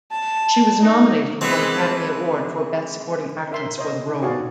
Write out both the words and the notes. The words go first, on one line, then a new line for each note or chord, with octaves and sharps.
She was nominated for an Academy Award for Best Supporting Actress for the role.
A5
D#4
E3 G#3 B3 C4
D4 A#4 E5 C6
C5 C#5 D#5
D#4
F#4 G#4 C#5 D5 F5 G#5